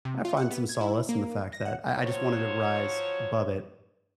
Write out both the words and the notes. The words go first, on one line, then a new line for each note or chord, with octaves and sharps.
I find some solace in the fact that I I just wanted to rise above it,
C3
F4
F#5
B3
G#6
E4
A#3
A#6
F#5
F3 F#3 C5 C#5